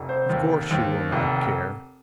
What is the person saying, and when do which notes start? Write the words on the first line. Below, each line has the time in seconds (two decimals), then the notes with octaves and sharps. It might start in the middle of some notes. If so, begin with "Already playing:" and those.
Of course she will not care.
Already playing: F1
0.09 C5
0.29 D#2
0.71 D#2
1.12 F1